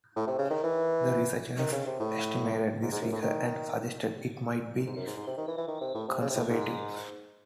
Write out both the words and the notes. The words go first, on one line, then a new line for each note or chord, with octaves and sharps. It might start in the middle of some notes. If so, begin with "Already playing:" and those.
The researchers estimated this figure and suggested it might be conservative.
A2
C3
C#3
D#3
E3
D#3
C#3
C3
A2
G#2
G#2
F#2
A2
D#3
G#2
F#2
G#2
G#2
C3
D#3
E3
E3
D#3
C3
A2
C3
C#3
C3
A2
G#2